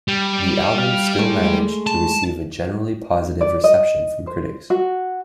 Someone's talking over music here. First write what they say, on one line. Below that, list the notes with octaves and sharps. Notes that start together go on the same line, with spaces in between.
The album still managed to receive a generally positive reception from critics.
G3
F5
G#3 A3
A5
D5
D#5
C5
F#4